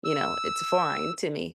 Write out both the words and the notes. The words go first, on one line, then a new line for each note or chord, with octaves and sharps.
you know it's foreign to me,
E6